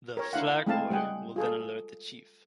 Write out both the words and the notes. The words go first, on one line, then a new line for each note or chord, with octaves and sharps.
The 'Flagboy' will then alert the chief.
A#4 C#5
D4 E4 F5 F#5
G#3 A3 C4 E4 F5 A5
G3 G#3 G#4 F#5 G5
F4 G#4 A4